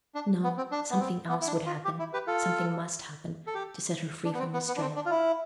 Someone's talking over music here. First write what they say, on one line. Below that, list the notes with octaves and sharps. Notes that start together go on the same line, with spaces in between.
No, something else would happen--something must happen--to set her free from this dread.
D4
B3
C4
D4
B3
C4
B3
E4
D4
F4
G4
E4
G4 B4
F4 A4
A4
G4
D4
B3
C4
B3
B3
D4
C4
D4
F4
E4